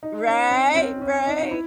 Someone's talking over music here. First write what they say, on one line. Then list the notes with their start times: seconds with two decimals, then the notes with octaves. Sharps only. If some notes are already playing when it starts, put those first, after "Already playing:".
Right, right.
0.03 D#4
0.27 C#4
0.51 C4
0.73 C#4
0.76 C4
1.02 C#4
1.27 D#4
1.41 D#4
1.51 E4